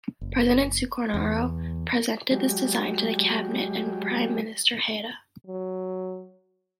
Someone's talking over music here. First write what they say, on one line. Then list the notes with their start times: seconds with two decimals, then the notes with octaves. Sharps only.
President Sukarno presented this design to the cabinet and Prime Minister Hatta.
0.21 F#1
1.14 E2
2.31 F#3 G#3 G4
5.47 F#3